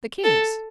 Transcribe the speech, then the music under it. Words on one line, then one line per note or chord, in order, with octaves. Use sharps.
The king's.
A4